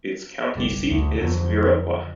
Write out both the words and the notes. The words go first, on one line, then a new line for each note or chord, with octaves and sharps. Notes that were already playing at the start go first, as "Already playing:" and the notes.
Its county seat is Viroqua.
F#1 B1 G3
D2
F2 D3 F#3